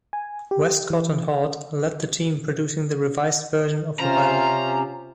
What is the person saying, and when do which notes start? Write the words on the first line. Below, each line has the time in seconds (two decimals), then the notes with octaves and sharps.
Westcott and Hort led the team producing the Revised Version of the Bible.
0.13 G#5
0.51 G4
0.90 E3
4.00 C3 C#4 F4 C5 A#5